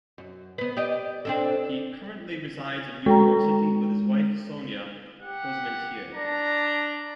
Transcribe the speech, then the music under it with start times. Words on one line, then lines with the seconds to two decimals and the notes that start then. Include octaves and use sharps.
He currently resides in New York City with his wife Sonya Posmentier.
0.18 F#2
0.58 B3 B4
0.77 G4 D5 D#5
1.25 C4 D4 A4
3.06 G#3 A4 G5 A#5
5.22 G4 F#5
6.15 D4 A#5